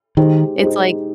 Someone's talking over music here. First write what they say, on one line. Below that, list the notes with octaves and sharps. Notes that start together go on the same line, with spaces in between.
it's like
D#3 G#3 D#4 G4 C5
G#3 D#4 G4 C5